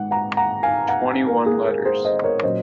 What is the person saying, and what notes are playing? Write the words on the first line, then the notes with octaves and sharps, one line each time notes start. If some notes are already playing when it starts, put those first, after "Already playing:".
Twenty-one letters.
Already playing: G#2 D#3 G#3 F#5
F#5 A#5
F#5 A#5
F5 G#5
F#5 A#5
A#4
G#4
A#4
G#4 C5
C5 D#5
A#4 C#5
A#2 F#3 C#4 C5 D#5